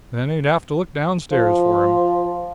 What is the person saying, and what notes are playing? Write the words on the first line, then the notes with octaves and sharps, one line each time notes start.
Then he'd have to look downstairs for him.
F3